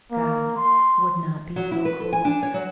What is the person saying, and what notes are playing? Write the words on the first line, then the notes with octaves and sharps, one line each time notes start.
God would not be so cruel.
A#3
C6
F#3
E4
B4
A4
G#5
D4
C#5
F#3